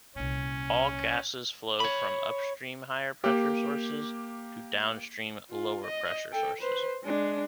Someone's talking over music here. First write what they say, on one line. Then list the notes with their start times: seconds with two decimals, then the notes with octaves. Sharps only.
All gases flow from upstream higher pressure sources to downstream lower pressure sources.
0.15 C2 A#2 C#4
1.80 C#5 B5
3.24 A#3 G4
5.51 F4
5.84 D#5
6.32 A4 G5
6.61 B4 C5
7.04 G#3 D4